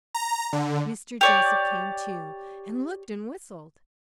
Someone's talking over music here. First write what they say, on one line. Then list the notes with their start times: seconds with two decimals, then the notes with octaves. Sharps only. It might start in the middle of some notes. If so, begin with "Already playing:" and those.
Mr. Joseph came too, and looked and whistled.
0.14 A#5
0.53 D3
1.21 G4 C#5 D5